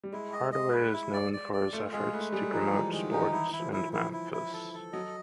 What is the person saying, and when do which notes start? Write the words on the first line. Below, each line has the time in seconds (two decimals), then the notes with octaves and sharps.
Hardaway is also known for his efforts to promote sports in Memphis.
0.04 G3
0.13 G#3 E4
0.33 D#5
0.52 D#5
0.72 B4
0.93 E4
1.13 D5
1.33 D5
1.53 D5
1.73 A3 F4
1.92 G#3 G#4
2.13 A3 B4
2.32 G3 G#4
2.52 F3 D#4
2.73 E3 G#3
2.93 D#3 G#3
3.05 D3
3.13 D#3 D#4
3.33 E3 E4
3.49 E3 E4
3.60 F3
3.73 E4
3.87 F3
3.93 E4
4.13 E4
4.33 E4
4.53 A4
4.74 A4
4.93 F#3 D#5